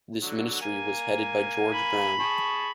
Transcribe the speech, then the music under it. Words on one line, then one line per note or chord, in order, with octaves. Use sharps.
This Ministry was headed by George Brown.
D3 F#3
A#3 G#5
B5
G#4 A5 C#6